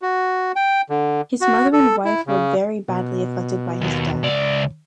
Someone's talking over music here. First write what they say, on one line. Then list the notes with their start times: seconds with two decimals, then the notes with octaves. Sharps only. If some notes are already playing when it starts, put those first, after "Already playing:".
His mother and wife were very badly affected by his death.
0.02 F#4
0.56 G5
0.90 D3
1.41 F#4
1.73 A4
2.05 E4
2.27 C#3
2.88 B2
3.81 D#2
4.23 C#2 D5